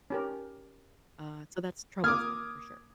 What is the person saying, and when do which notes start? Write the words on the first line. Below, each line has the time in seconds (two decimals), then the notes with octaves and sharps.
uh, so that's troublesome for sure.
0.10 C#4 G4 A#4
2.04 A#3 D6 D#6 F6 G#6